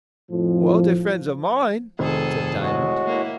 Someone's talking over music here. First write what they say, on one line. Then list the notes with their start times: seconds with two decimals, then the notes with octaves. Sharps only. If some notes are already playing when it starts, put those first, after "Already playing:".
"Well, they're friends of mine," said Diamond.
0.31 F2 A2 F3
1.99 F1 D#3 G#4 A4 C5
2.59 A2 G#3 F#4
3.06 A#3 E4